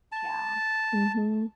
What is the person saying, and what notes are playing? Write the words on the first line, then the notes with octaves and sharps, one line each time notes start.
yeah. Mhm.
A5